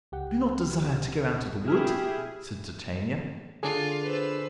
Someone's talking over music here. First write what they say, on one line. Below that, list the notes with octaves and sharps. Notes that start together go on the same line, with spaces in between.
"Do not desire to go out of the wood," said Titania.
C#2 G4 F#5
B2 E4 G4 G#4 F6
D3 D4 F4 G#4
B4 C5 E6